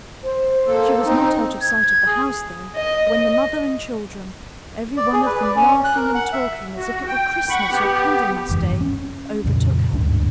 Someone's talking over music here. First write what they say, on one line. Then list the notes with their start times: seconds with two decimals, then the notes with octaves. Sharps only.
She was not out of sight of the house, though, when the mother and children, every one of them laughing and talking as if it were Christmas or Candlemas day, overtook her.
0.24 C5
0.67 A#3 A4
1.05 C4 D#4
1.62 G#6
2.07 G#4
2.76 D#5
3.15 D#5
4.97 D5
5.13 G#4
5.26 B4
5.42 D5
5.56 C#4
5.84 F#6
5.96 A#4
6.15 F#5
6.33 E5
6.77 F#4
7.07 G5
7.49 F#5 B5 C#6
7.70 B3 G4
8.49 F#1 E2 G#2
8.81 C#4
9.44 F2 A#2 C#3 F#3
9.91 G1 D2 G#2 D4